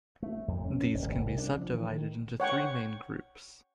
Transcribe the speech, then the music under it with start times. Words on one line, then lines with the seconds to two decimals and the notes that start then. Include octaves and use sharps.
These can be subdivided into three main groups.
0.22 A3
0.48 F2
0.65 C#4
0.94 D#1
1.06 G#1
1.19 C2
1.38 D4
1.56 F3
1.74 E3
1.90 D#3
2.40 C#5 F#5 G5 C#6